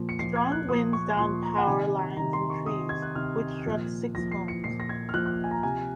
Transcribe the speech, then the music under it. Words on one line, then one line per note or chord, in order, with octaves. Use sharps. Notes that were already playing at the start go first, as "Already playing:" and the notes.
Strong winds downed power lines and trees, which struck six homes.
Already playing: A#2 F3
C#7
A#2 F3 C7
G#6
F#6
A#2 F3 D#6
C#6
A#2 F3 C6
A#5
F#5
C3 D#3 G#5
C3 D#3 A#5
C6
C#6
C3 D#3 D#6
G#6
F#6
C3 D#3 F6
A#2 F3
A#2 F3 A#6
C7
C#7
A#2 F3 C7
A#6
G#6
F6
A#2 F3 F#6
F#6
G#5
A#5
C3 F3 G#5